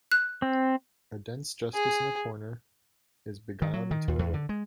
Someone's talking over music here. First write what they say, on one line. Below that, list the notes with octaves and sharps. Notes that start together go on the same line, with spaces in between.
A dense justice in a corner is beguiled into a wink.
F#6
C4
G#4
D#3
F#3
D#3
D#2
E2
D3
G#3